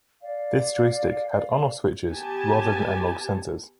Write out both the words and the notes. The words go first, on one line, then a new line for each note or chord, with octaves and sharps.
This joystick had on-off switches rather than analogue sensors.
D5 F5
B3 G4 G#5 A5